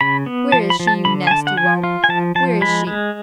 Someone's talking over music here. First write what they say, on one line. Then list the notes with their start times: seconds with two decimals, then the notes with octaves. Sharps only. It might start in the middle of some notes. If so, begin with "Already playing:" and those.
Where is she, you nasty whelp, where is she?
0.01 C#3 B5
0.26 B3
0.52 F3 A5
0.70 B5
0.80 F3
0.87 A5
1.05 D3 B5
1.27 G#5
1.31 D3 A5
1.47 F#5
1.57 F3 G#5
1.84 F4
2.04 G#5
2.09 F3 A5
2.35 F3 A5
2.61 G#3 B5
2.87 G#3